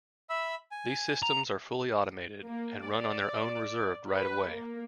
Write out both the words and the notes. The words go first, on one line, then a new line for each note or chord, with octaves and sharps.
These systems are fully automated and run on their own reserved right of way.
E5 B5 E6
G#5
A#5
A#3
D5
B4
A#3